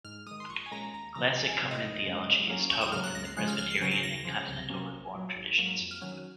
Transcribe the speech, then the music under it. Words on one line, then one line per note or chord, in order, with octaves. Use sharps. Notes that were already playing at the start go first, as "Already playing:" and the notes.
Classical covenant theology is taught within the Presbyterian and Continental Reformed traditions.
G#2 F6
D#3 G#3 D#6
C6
A#1 C#6
G#5
A#2 G#3 C#4 A#5
D#2 A#5
C#3 F3 A#3 A#5
C#2 G#5
G#5
C3 F3 C4
D#5
D#2
C#3 G#3 C#4
G#2
F#3 A#3 C#4
D#2 C#6
D#6
C#3 F#3 A#3 F6
F#6
C#2 A#6
C7
C#3 F3 G#3 F#6
F6
C#2 F6
C7
C#3 F#3 C#4 A#6
C7
D#2 A#6
C#3 F3
C2
C3 F#3 A#3 C#4
A#1
A#2 F#3
G#1
G#2 F#3 A#3
F2
F6
D#3 F#3 C#4 F6